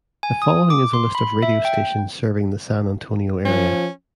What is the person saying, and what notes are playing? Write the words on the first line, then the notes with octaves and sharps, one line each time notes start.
The following is a list of radio stations serving the San Antonio area.
G#5
D#6
D6
C6
B5
E5
G5
F3 C#4